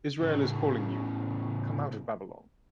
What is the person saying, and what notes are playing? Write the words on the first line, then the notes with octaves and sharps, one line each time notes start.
Israel is calling you - come out of Babylon!
A2 C#3